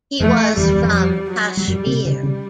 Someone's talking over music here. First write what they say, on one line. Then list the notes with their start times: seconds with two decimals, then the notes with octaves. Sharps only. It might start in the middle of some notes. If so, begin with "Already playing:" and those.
He was from Kashmir.
0.20 F2 F3 A3
0.57 E2 E3 G3
0.66 D#2 D#3
0.76 E2 E3
0.85 F2 F3
0.94 G3
1.31 F#3
1.57 G3
1.67 F#2 F#3 G3
1.86 C3 C4
2.05 C#3 G3 C#4
2.23 C#3 C#4